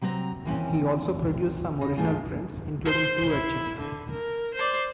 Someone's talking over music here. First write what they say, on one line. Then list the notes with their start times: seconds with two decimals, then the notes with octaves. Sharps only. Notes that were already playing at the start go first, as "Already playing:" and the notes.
He also produced some original prints, including two etchings.
0.01 C3 F#3 C4 D5 A#5
0.45 D#2 E3 C4 C#4
1.81 C#3 D#5
1.97 G#2 E3 A3 F4 G#4
2.85 C5 C6
3.30 E4
3.79 D3
4.10 A#4
4.55 C5 D5